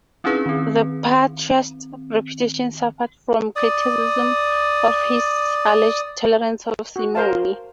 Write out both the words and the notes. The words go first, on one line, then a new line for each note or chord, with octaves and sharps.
The patriarch's reputation suffered from criticism of his alleged tolerance of simony.
C4 C#4 D#4 E4 G#4 B4
D#3 C4
D5 D#6
F#4
A#4 C5 F5 A5